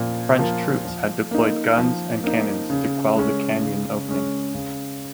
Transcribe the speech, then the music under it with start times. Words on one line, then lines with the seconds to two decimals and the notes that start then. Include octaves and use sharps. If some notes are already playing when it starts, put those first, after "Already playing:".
French troops had deployed guns and cannons to quell the canyon opening.
Already playing: A#2 F3 A#3 F4
0.39 F3 A#3 F4
0.85 F3
1.31 A#3 D#4
1.78 F3
2.24 A#3 D#4
2.70 C#3
3.16 G#3 C#4
3.62 C#3
4.08 G#3 C#4
4.54 C#3